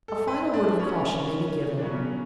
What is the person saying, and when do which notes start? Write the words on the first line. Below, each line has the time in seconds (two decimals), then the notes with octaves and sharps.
A final word of caution may be given.
0.08 A4
0.28 B4
0.54 D4
0.80 C#4
1.78 D4
1.81 C#3 F#3 B3 C#4